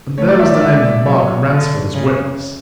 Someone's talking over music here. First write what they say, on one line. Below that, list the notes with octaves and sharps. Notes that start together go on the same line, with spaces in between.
And there was the name of Mark Ransford as witness.
A3 C#5
D5
E5
C#5
D5
G#3 E5
F#3 C#5
D3
C#3